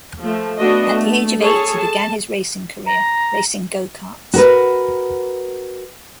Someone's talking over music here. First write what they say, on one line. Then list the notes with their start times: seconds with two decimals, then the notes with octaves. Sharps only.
At the age of eight, he began his racing career, racing go-karts.
0.21 F3 A3
0.58 A3 B3 D4 F#4 D#5
0.91 A3
1.39 G#4 A4 C#5 A5
1.78 A5
2.86 A#5
4.34 F#4 A#4 B4